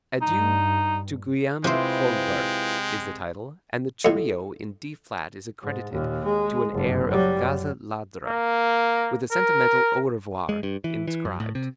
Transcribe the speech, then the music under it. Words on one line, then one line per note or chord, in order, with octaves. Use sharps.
Adieu to Guillaume Kolberg, is the title, and the Trio in D flat is accredited to an air of "Gazza Ladra," with a sentimental Au Revoir inscribed.
G2 D#4
C3 G#3 E4 F4 B4 C5 G5
F2 A2
G#2
D#2 A#2
G#3
F#1 G2
F#3 G3
F#2
A#3
A#4
G#3
G2
E3
E3
F#2
A2
C3